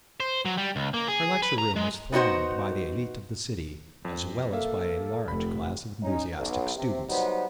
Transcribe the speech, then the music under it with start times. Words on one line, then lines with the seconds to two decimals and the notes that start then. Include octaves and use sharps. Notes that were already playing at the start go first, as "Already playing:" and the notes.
Her lecture room was thronged by the elite of the city, as well as by a large class of enthusiastic students.
0.20 C5
0.45 F#3
0.57 G3
0.76 C#2
0.94 A#3
1.08 G#4
1.42 B4
1.58 A#5
1.76 G#3
2.12 B3 D#4 F#4 C5
4.05 F2
4.52 A#3 A4 E5 F5
5.28 F1 B5
6.02 C#4 D#4
6.37 B1
6.76 C3
7.08 F#3 G3 B3 D#4 C5